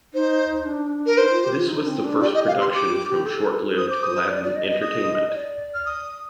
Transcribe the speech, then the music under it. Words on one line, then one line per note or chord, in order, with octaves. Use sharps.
This was the first production from short-lived Gladden Entertainment.
D#4 C5
D4
A#4
D#4 C5
F4
G4
F4
D#4
C4
D4
G4 D5
D#5
F5
C6
G4 D6
G4
G4
A4
C5 D#6
D6
D#6
D5
D5
D#5
D#5
D#6
D5
F6
D#6